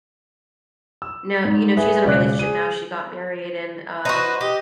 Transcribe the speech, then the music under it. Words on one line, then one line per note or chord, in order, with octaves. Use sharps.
now, you know, she's in a relationship now, she got married and, um,
E6
G#2
G#4 B4 E5
E1 C#3 D5 F#6
G#4 D#7
D#4 F#4 B4 C5
G4 D#5